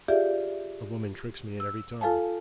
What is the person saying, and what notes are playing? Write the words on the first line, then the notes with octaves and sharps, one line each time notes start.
The woman tricks me at every turn!
F4 G4 G#4 D5 E5 F5
E6
F4 A4 F5 G#5 A5